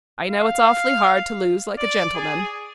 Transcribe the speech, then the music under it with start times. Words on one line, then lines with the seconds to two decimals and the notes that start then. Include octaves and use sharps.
"I know it's awfully hard to lose like a gentleman."
0.30 F5
1.78 D5
2.15 G#4